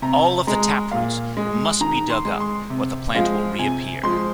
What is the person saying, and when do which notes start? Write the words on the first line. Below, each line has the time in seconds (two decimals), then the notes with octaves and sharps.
All of the taproots must be dug up, or the plant will reappear.
0.02 C3 A#5
0.47 G#3 A#5
0.91 A#2 F5
1.37 G#3
1.80 D#3 A#5
2.10 C6
2.25 G#3
2.40 C6
2.70 C3
3.15 F3 G#3 F5
3.58 C3 G#5
4.03 F3 G#3 C6